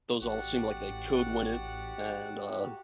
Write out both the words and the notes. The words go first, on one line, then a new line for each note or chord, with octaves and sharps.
those all seem like they could win it and, uh
A1 F#4 G4 D5 F#5